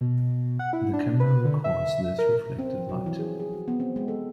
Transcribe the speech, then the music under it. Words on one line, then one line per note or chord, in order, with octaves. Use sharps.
The camera records this reflected light.
B2
F#5
E4
D4
B4
D3
E5
A#4
C4
F3
F#3
E3
G#4
G#4
F#4
B3
C4
G#3
A4